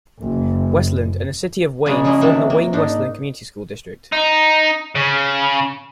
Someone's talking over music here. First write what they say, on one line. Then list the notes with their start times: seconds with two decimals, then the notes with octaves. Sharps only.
Westland and the city of Wayne form the Wayne-Westland Community School District.
0.21 F#1
1.86 C#3 F#3 G#3 A#3 C#4 D4
2.04 F3 F#3 G#3 A#3 C#4 E4
2.21 C3 E3 F#3 A#3 F#4 A5
2.50 A#3
2.73 G#2 D4 D#4
4.12 D#4
4.95 C#3